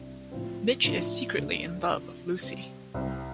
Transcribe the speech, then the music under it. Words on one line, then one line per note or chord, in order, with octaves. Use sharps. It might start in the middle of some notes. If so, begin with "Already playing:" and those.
Mitch is secretly in love with Lucy.
Already playing: C2 C3 G3 D4
A2 F3 C4
A2 F3 D4
D2 D3 A3 D4
C3 F3 D4
C3 G3 C4
C2 C3 G3 C4